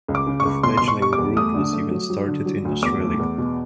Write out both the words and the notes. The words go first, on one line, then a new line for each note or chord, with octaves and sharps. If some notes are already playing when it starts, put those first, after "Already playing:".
A fledgling group was even started in Australia.
C#2
D6
C#3
C#6
C#2
B2 C6
B2 C6
C#6
G3 C#6
D6
E2
A3 D#6
D3
A3
F#3
F#3
D3
F#3
D2
E2 D6
A3
E2
B2